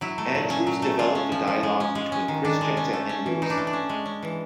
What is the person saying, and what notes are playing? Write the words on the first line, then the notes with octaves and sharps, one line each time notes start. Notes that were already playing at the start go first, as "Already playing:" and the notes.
Andrews developed a dialogue between Christians and Hindus.
F#3 E4
A3
A#2
C#4
F#3
A3
G#3 F4
C#4
F3
F3
G#3
C#4
G#3
C#4
D#3
D#3 D4
G#3
C#4
A3
C#4
E3
E3 D#4
D4
A3
D4
C#4
G#3
C#4
E3